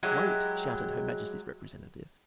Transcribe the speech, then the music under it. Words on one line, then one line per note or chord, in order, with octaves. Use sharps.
"Wait!" shouted Her Majesty's representative.
F#3 G#3 E4 G4